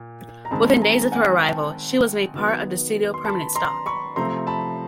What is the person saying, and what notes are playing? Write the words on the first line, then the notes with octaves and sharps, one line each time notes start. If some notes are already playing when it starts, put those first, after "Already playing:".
Within days of her arrival, she was made part of the studio permanent stock.
Already playing: A#2
A#5
D#3 G#3 C4 A5 B5
G#5 A#5
F#5 G#5
G5 A5
D#3 F#3 B3
C6
A5 B5
A#5 C6
B5 C#6
C3 F3 A3 C4 A#5 C6
A5 B5